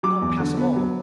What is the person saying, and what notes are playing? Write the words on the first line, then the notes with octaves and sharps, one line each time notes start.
"I'll pass 'em all!"
F#3 D6
E2
D3
B3
F#3